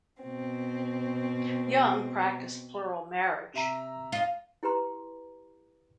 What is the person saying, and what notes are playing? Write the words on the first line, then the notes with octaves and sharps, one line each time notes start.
Young practiced plural marriage.
B2 C4
C3 E5 A#5
D#4 F4
E4 G4 B4 A#5 C6